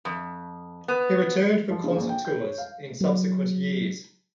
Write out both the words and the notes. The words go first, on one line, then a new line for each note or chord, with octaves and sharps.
He returned for concert tours in subsequent years.
F2
B3
F3
C#3
A#1
G5
G6
C#5
F5
F#3